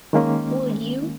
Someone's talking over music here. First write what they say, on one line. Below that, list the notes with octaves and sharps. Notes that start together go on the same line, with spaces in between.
Would you?
D#3 G#3 A#3 C#4